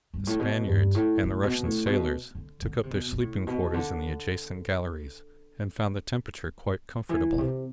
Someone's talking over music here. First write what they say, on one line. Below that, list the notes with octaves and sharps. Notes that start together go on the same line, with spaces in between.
The Spaniards and the Russian sailors took up their sleeping-quarters in the adjacent galleries, and found the temperature quite comfortable.
G2
A2
B2
G2
A2
A2
B2
A2
B2
D3
D3
C3
B2
B2
A2
B2
D3
E3
B2
C3